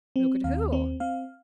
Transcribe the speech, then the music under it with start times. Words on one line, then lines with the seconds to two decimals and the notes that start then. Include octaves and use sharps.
"Look at who?"
0.16 C4
0.44 D#2 F5
0.72 C4
1.00 C4 F5